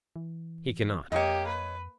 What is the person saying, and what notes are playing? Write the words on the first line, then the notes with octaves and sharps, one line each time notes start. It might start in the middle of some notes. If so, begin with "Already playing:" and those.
He cannot.
E3
F2 A#3 G4 C#5 D#5
B4